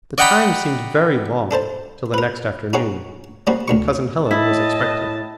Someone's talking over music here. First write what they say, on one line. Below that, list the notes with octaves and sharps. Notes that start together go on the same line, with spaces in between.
The time seemed very long till the next afternoon, when Cousin Helen was expected.
D5 D#5 F#5 G5 A#5 B5
D4 A4 C5 A5
A#4 B4
D#4 F#4 G#4 C#5 F5
G3 A#3 C4 C#4 F#4
D2 D4 C#6
A2 E4 D#5 A5